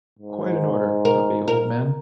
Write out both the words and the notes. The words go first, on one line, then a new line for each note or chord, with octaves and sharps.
Quite in order, Tuppy, old man.
G#2
A#4
A#4